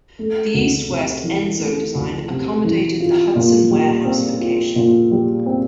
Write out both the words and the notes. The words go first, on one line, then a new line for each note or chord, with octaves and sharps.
The east-west end zone design accommodated the Hudson warehouse location.
A3
D2
C3
E3
A3
D2
C3
E3
F4
A#2
G3
C4
F4
A#2
G3
C4